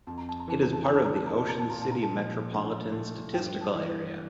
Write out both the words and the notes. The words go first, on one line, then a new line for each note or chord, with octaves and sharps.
It is part of the Ocean City Metropolitan Statistical Area.
F2 A5
A#5
A5
A#5
E3 A5
A#5
A5
D4 A#5
A5
A#5
A5
A#3 A#5
A5
A#5
A5
A#2 A#5
A5
A#5
A5
F3
D4
A3
G2 G5
A5
E3